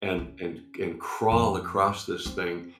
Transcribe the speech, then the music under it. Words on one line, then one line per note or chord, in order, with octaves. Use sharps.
and and and crawl across this thing.
C#4
F2
C4